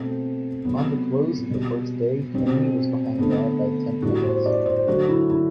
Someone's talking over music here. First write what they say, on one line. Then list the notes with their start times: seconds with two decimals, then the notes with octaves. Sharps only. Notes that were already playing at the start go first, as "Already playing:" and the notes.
On the close of the first day Queenie was behind Dod by ten points.
Already playing: B2 A3 C4
0.65 C3 F#3 A3 B3
1.50 B2 G3
2.34 B2 G3 C4
3.19 D3 A3 B3
4.02 A2 G3 F#4
4.23 C5
4.46 D5
4.66 C5
4.87 D3 F#3 A3 F#4
5.09 E4
5.30 E4